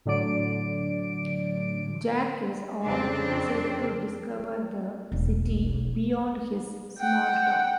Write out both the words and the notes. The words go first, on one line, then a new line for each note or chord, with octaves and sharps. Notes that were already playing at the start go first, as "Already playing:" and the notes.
Jack is all set to discover the city beyond his small town.
A2 D3 F#3 D5 D7
F2 C#3 C4 D4
E1 B1
F#5 G5